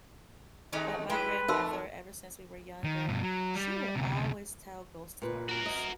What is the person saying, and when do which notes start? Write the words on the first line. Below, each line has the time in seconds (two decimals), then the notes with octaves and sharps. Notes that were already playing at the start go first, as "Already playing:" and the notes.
But my grandmother, ever since we were younger, she would always tell ghost stories,
0.72 D#3 G#3 A3 C#4 D#4 G4
1.10 F#3 G#3 E4 G#4 B4 G5
1.48 E2 A3 D#4 A#4 C6
2.84 D#3
3.08 G2 B2
3.23 F#3
3.55 G3
3.96 D2 C3
5.22 A#2 B4
5.49 F#4 A#4
5.66 D#5